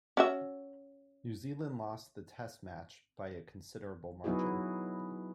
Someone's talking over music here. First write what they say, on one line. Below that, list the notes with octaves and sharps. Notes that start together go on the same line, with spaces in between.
New Zealand lost the Test match by a considerable margin.
C#4 F#4 E5
F#3 B3 D#4 E4 F#4 G#4